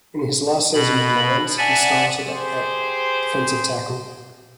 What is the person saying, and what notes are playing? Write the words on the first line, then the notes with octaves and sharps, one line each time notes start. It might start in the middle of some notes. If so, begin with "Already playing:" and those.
In his last season with the Lions, he started at defensive tackle.
B2 B5
D5 E5 F#5 G#5 A5
G4 G#4 C5